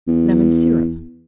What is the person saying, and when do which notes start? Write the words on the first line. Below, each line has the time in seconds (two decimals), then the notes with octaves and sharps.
Lemon Syrup.
0.08 E2